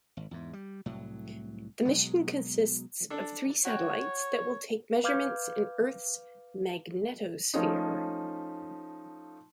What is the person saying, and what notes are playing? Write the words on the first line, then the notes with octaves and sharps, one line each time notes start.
The mission consists of three satellites that will take measurements in Earth's magnetosphere.
G#1
E2 G#2
G3
C2 A2 F#3
B2 F#3 G#3
D4 A4
F#4 C#5 G5
B4 F5 D6 F6 G6 G#6
F3 A3 C#4 D#4